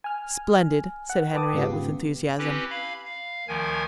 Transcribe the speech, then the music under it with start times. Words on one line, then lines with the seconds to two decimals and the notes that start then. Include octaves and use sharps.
"Splendid!" said Henriette, with enthusiasm.
0.04 G#5 F6
1.10 F#5
1.33 B4 G5 A5 D6 D#6
1.53 G#2 C#3 B3 F4 G4
2.38 C4 C#4 E4 G4 B4
2.70 F5 B5
3.06 F5
3.48 D2 D#3 F3 A#4 G#5 G#6